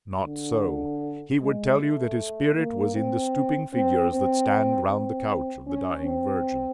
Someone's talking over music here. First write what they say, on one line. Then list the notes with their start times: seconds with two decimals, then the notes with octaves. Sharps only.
Not so; he would tell you that his spirit was in the stooping figures that stand round the couch of the dying Virgin.
0.25 D3
1.41 G#3
1.80 A3
2.56 A#3
2.95 C4
3.73 C4
4.12 C4
4.89 C4
5.67 C#4
6.05 C4